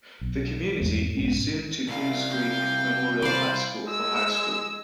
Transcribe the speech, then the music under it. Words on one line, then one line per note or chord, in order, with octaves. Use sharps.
The community is zoned to Goose Creek Memorial High School for high school.
B1
E2 G#2 A3
B1 G#2 B3 C#4
C2 F5
G5
C5 D5 F5 B5
G#3 E6